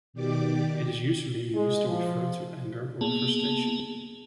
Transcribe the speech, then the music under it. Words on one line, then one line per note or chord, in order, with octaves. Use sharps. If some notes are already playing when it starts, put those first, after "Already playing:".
It is usually used to refer to anger or frustration.
B2 D#3 G4 D5 D6
G#3
F3
A#3 B3 G#4 A5